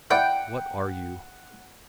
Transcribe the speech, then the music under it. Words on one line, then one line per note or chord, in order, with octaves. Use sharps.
What are you?
E4 B4 D5 F#5 G5